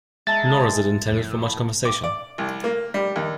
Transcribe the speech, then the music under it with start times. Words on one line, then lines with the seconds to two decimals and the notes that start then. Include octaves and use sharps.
Nor is it intended for much conversation.
0.27 G#3 E5 A5 A#5 A6
1.06 G1 F2 A2
1.85 D6
2.04 D5
2.38 C2
2.64 A#3
2.94 G3
3.16 D#2